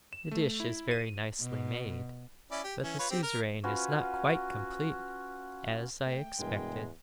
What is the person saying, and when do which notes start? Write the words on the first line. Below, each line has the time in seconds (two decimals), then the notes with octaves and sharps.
'The dish is very nicely made, but the Suzeraine is not quite complete--as I expected.'
0.13 E7
0.31 A3
0.60 E4
0.91 D#7
1.42 B2
2.51 C#4 E4 D5
2.64 G4
2.83 E3 C#4
2.99 F4 B4 C#5
3.10 C4 G4
3.23 A#4
3.64 C#4 F4 F#4 B4
6.07 A3 G5
6.39 E2 G2 B2 G#3 A#4